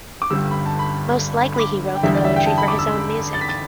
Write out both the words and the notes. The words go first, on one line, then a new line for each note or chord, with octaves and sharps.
Most likely he wrote the poetry for his own music.
D6
G1 G2 D3 G3 E6
B5
A5
B5
B5
D6
G5
E2 D3 G3 E5
D5
E5
G5
A5
B5
D6
E6
A6
B6
A6